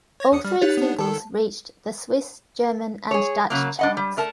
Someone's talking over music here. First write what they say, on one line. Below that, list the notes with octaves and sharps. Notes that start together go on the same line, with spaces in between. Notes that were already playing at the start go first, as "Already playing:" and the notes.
All three singles reached the Swiss German and Dutch charts.
C#5 G#6 A#6
E2 D#6 C#7
G3 F6
D#4 G4 C#5 F#6 A6
B3 D4
D#3 A4 A5
G#4 C#5
C#3 F#3 A#3
D4 D#5 F#5
G3
A3 A#4 A5